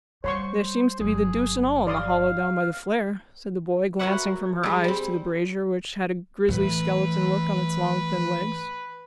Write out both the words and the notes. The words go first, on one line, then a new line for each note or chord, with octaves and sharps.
'There seems to be the deuce-and-all in the hollow down by the flare,' said the boy, glancing from her eyes to the brazier, which had a grisly skeleton look on its long thin legs.
G3 C5 C#5 C6 C#6
G1 F#3 G#4
D5 F5 C6 D#6
F#4 A#4 B4 C#5 E5 F#5
G3 G#3
G3 C4
A2 E3 B4